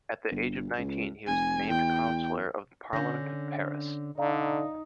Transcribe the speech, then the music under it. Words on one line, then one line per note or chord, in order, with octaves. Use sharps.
At the age of nineteen he was named councillor of the parlement of Paris.
G1
C#2
F1 G#5
E2 G5
D3 C#4 D4 G6 A#6
D3 D#4 D5 F5 A#5